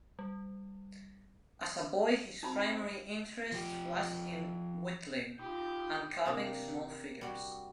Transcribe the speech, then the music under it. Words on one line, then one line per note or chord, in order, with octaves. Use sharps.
As a boy his primary interest was in whittling, and carving small figures.
G3
C4 D#4 B5
F3 G4
D#4 F4 G4 B5 D#6 G6
C3 A#3 D4
G3 F#4